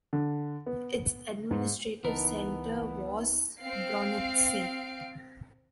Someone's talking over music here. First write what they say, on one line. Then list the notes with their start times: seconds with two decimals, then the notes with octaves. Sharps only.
Its administrative centre was Bronnitsy.
0.13 D3
0.66 B3
1.51 G#2
2.05 C#2 E3 B3 D#4 A#4 A5
3.62 C4 F5 C7 D7